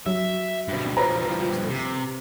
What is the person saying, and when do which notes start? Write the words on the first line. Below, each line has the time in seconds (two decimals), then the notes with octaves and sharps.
Put your book away, Eustace.
0.06 F#3 E5
0.69 G2 B2
0.97 G2 F3 B4 C5 A#5
1.70 C3